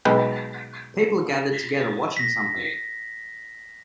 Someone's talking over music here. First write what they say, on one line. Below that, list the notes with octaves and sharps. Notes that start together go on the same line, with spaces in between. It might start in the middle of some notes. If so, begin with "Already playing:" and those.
People are gathered together watching something.
B1 G#3 B4 G5
A#6 B6